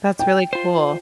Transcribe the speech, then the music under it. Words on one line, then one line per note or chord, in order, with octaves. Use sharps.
That's really cool.
G5
F4 C5